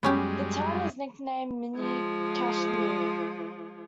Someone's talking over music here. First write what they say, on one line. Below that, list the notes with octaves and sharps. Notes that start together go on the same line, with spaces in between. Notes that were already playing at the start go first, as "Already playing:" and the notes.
The town is nicknamed, mini Kashmir.
F#2 G3 G#3 B3 C#4 G4
F3 G#3